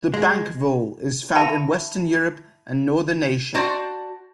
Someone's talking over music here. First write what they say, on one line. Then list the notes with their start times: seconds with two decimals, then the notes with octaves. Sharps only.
The bank vole is found in western Europe and northern Asia.
0.14 G#3
1.35 E5 A5 B5
3.54 F#4 C5 D5 A5